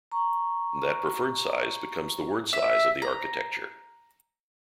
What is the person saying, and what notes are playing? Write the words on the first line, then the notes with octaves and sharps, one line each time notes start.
That preferred size becomes the word size of the architecture.
A#5 C#6
E5
A#5